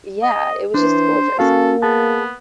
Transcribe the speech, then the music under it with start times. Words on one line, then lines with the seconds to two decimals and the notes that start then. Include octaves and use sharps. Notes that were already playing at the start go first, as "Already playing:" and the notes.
yeah, it was just gorgeous.
0.23 D#5
0.74 E3 D4 C5
1.39 A#3 C#4 F#4 A4 F5
1.83 B3 G#4 A5